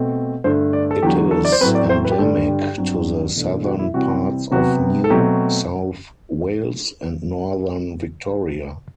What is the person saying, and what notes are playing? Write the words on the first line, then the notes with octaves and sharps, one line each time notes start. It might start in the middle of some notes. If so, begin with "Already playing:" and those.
It is endemic to the southern parts of New South Wales and northern Victoria.
Already playing: B2 A3 C4
G2 D3 A3 C5
D5
A4
E2 D3 F#3 G4
A4
D5
C5
A2 F#3 C4 B4
D5
C5
B4
G4
G2 D3 G3 D4 A4
G4
G2 F#3 C4
E2 B2 A3 D4
F#4
E4
C3 E3 G3 C4 F#4
C3 F#3 B3 F#4
A4
B2 F#3 A3 C4 G4